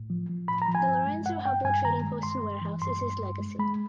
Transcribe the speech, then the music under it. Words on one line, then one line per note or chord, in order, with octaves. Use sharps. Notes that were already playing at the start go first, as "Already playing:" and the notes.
The Lorenzo Hubbell Trading Post and Warehouse is his legacy.
Already playing: A2
F3
F3
A2 B5
A#5
F3
G#5
G2
G#3
G2 F#5
G2 G5
G2 G#5
D#3 A#5
G#3
G2 C6
G2
E3
G2 C6
G2
G2
G#3
G#3 B5